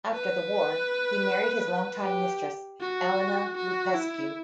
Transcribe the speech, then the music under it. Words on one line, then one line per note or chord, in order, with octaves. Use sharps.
After the war, he married his longtime mistress, Elena Lupescu.
B4
G4
F#4
F#4
E4